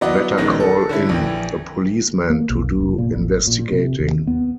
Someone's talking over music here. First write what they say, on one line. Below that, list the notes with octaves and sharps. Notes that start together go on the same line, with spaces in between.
Better call in a policeman to do investigating.
F#3 B3 E4 D5 D#5 F#5
A#1 D#3 G#3 B3 C#4 A#6
A4
D3 C#4 E4
A#1 E3 G5
A#3
B1
F1
A#2
A1
A#2
C3
D#2
B3